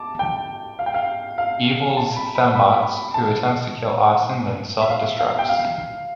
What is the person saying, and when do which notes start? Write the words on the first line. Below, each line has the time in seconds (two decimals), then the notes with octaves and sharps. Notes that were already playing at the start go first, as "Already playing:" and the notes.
Evil's fembots, who attempts to kill Austin, then self-destructs.
Already playing: A5 D6
0.19 G5
0.79 F5
0.86 G5
0.94 F5
1.38 F5
1.97 A5
2.16 B5
2.35 B5
2.55 B5
3.14 A5
4.81 E5
4.90 F5
5.19 F5
5.39 G5
5.49 F5